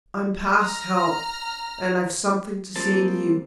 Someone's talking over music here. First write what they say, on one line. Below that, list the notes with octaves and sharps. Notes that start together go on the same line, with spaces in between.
I'm past help--and I've something to say to you.
A#5 F6
F3 G3 A#3 C4 A5